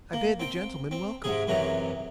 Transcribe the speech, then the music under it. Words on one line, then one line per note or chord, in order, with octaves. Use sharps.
I bade the gentlemen welcome.
A#3
C4 G5
C4
G#2 C3 G#4
F#2 C3 E3 F#3 A#5